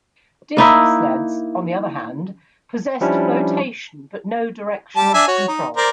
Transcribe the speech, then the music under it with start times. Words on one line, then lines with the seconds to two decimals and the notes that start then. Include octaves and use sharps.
Disk sleds, on the other hand, possessed floatation but no directional control.
0.57 A#3 D#4 E4
3.01 F3 G3 C#4 D4 E4
4.96 G3 A5
5.14 D4 E5 G#5
5.28 F#4 C#5
5.48 D#4
5.77 A#4 C5 D5